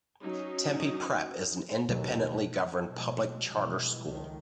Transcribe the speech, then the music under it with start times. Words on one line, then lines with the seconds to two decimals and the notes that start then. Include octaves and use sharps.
Tempe Prep is an independently-governed public charter school.
0.22 F#3 C#4 D#4
1.89 D#2 B2 F#3
2.88 B2 F3 F#3 G#3
3.51 B2 E3 F3 G3 G#3
4.06 C#2 D#3 A3